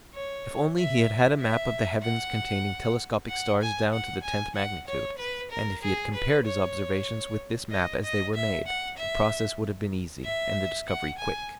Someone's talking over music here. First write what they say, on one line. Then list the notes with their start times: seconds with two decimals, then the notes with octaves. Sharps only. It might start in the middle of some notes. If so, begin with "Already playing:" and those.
If only he had had a map of the heavens containing telescopic stars down to the tenth magnitude, and if he had compared his observations with this map as they were made, the process would have been easy, and the discovery quick.
0.14 C#5
0.77 E5
1.40 E5
2.03 F#5
3.29 F#5
3.62 G#5
3.93 F#5
4.24 G#5
4.55 F#5
4.87 C#5
5.18 B4
5.51 A#4
5.82 G#4
6.14 B4
6.45 C#5
7.71 D#5
8.04 D#5
8.35 E5
8.66 F#5
8.97 E5
10.24 E5
10.87 F#5
11.19 G#5